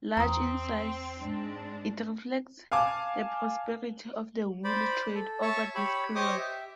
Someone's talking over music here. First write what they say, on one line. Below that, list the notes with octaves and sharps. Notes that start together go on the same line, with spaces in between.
Large in size, it reflects the prosperity of the wool trade over this period!
E2 C4 A#5 D#6
G#2 D4
F5 G#5 A5 D6
C5 D5 B5
A4
C#5 E5 A5 C#6 E6
G4 C#5 B5 E6
G4 C5 C#5 D#5 D6 D#6
G4 E5